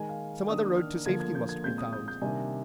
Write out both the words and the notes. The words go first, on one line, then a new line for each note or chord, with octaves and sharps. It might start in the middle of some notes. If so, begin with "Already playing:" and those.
Some other road to safety must be found!
Already playing: D#3 G#3 D#4 G#5
F5
D#3 A#3 D4 D#6
F6
D3 F3 A#3 G#6
G#6
G6
G#6
A#2 G#3 C4 G6
D#6
G6
G6
C3 D#3 G3 A#3 D4 G#5